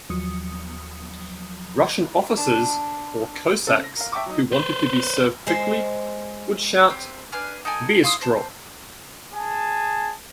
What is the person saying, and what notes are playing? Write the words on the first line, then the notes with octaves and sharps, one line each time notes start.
Russian officers or cossacks who wanted to be served quickly would shout "bystro".
D#2 F3 F#3 D#6 C#7
D4
C#3 C4 C#4 A4
A#6
A#4 F5
E5 G5 A5 C#6 D6
F#3 D#4
B4 C5
G#3 C5
C4 G4
D4 B4 G#5 F6
D#4 A4 G5 G#5
E4 F5 C6 D#6
C5 A5
G#4 G#5 A5